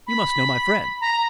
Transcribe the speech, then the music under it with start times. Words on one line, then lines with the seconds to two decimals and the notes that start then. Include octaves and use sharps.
You must know my friends....
0.07 B5
1.01 A#5